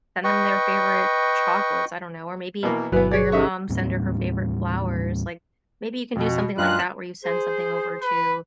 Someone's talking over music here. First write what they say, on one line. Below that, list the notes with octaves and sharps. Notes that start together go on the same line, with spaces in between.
send them their favorite chocolates, I don't know. Or maybe for your mom, send her her favorite flowers, like, maybe you can do something like that where you send something over to
B4 D#5 G5 C#6
B2 E3 A#3
G1 B2 E3 F#3 B3 B4 G#5 F#6
G#4 C#5 D5
C#4 D#4 G4 A4 E5 C#6
D#2 A2 G3 C4
F2 B2
F#2 A#2 G#3 D4 F4 B4 G5 F#6
G#4 C5
B4